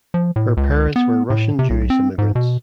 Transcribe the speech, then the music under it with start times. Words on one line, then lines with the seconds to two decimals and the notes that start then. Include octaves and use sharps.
Her parents were Russian Jewish immigrants.
0.14 F3
0.36 A2
0.57 C#2
0.96 B3
1.30 A2
1.59 C3
1.70 B1
1.90 C4
2.18 G#2
2.35 B2